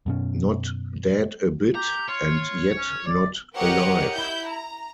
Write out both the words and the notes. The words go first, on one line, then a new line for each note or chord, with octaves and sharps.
Not dead a bit, and yet not alive.
F#2 B2 C#4
G4 A#5
F4 C#5
C#4
D5
G4 A#4 C#5 D#5 F#5
E4 G6
A#5